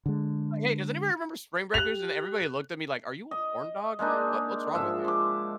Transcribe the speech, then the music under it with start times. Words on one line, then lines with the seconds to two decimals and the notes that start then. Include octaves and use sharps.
“Hey, does anybody remember Spring Breakers?” And everybody looked at me like, "Are you a horndog, man? What what's wrong with you?
0.06 D3 G#3
1.74 G4 F#6 F7
3.31 D#5
3.99 G#3 A#3 D4 D#4
4.75 G#2 F3 E5
5.04 C6 D6